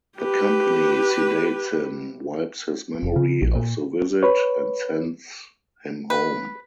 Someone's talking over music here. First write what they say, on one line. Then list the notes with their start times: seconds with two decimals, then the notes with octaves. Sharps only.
The company sedates him, wipes his memory of the visit, and sends him home.
0.17 G4 B4
3.03 F1
3.16 C#3
3.42 A#1
3.55 A#2
4.23 B4 C#5
6.10 B4